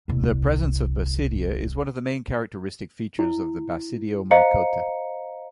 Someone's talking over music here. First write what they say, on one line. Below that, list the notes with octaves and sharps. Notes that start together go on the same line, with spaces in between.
The presence of basidia is one of the main characteristic features of the Basidiomycota.
D#1 C2
E4
C5 D#5 F5 A#5 C#7